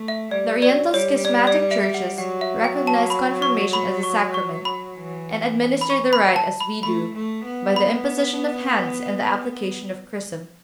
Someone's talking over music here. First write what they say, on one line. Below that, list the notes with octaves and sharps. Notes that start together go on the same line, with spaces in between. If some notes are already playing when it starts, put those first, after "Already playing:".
The Oriental schismatic churches recognize Confirmation as a Sacrament, and administer the rite as we do, by the imposition of hands and the application of chrism.
Already playing: A3
E5
G3 D5
F#3 D5
G3 C#5
D5
D5
E5
E5
F#5
F#3 F#5
E5
G5
A5
B5
C#6
B5
C#6
C#6
B5
E3
B5
C#6
B5
A5
B5
A3 B5
A3
B3
B5